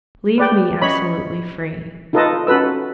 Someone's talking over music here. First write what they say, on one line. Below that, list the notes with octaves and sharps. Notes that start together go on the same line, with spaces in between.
Leave me absolutely free.
B4 D5 G5
C#4 C#5 D#5 B5
D#4 F4 A4 B4 D#5 A5
C#4 F#4 A4 B4 E6